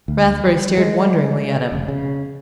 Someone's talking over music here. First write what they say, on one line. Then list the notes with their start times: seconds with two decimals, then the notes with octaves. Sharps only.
Rathbury stared wonderingly at him.
0.08 D2
0.47 G3
0.78 G#3
1.72 F1
1.88 C#3